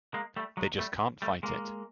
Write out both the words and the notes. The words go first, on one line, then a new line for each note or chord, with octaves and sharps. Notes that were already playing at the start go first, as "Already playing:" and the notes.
They just can't fight it.
G#3 A#3
G3 A3
F#3 G#3
G3 A3
G3 A3
G#3 A#3